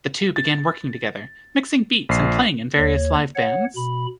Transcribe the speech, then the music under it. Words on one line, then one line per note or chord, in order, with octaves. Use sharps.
The two began working together, mixing beats and playing in various live bands.
A6
A#1 C7
D#2 C#5
C#5 F#5
B2 B5